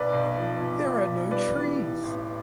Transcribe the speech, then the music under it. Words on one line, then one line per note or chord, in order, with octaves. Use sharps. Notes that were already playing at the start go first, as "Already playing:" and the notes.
There are no trees.
Already playing: B1 B4 D5
B1
F3
B1
B1
B1
G3 B4 D5
E3
E3
A1